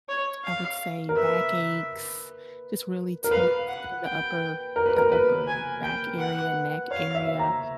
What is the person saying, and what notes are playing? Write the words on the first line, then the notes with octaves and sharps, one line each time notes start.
I would say backaches, just really tense in the upper the upper back area, neck area,
C#5
F5
A#4
B4 E5
A#4
B4 F5
F#5
G5
A#4
B4
A#4
B4
G#5
G5
F#5
C#5 F5
E5
A#5